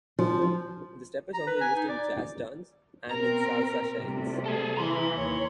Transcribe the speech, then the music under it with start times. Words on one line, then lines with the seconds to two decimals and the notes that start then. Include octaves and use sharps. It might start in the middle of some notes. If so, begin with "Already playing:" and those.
The step is also used in jazz dance, and in Salsa shines.
0.19 F3
1.34 A#5
1.47 B4
1.61 G#5
1.76 D#4
1.89 D5
3.11 B2 C4 A#4 A#5
3.99 C3 G3 A3
4.46 G#4 A4
4.77 E3 A#5 C6
5.15 D#2 C#5